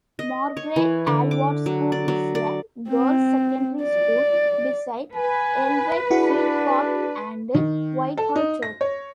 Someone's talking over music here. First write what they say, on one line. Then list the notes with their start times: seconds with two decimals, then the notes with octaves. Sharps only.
Margret Aylward School is a girls secondary school beside ellenfield park and Whitehall church.
0.19 D#5
0.57 C#5
0.76 E3
1.07 D3
1.31 D6
1.66 F#3
1.92 D5
2.08 F#3
2.35 D5
2.89 C4
3.83 D5
5.16 B4 G#5
6.10 D4 E4 F#4 G#4
7.55 D#3
8.17 A4
8.36 D#4
8.63 A#6
8.81 C#5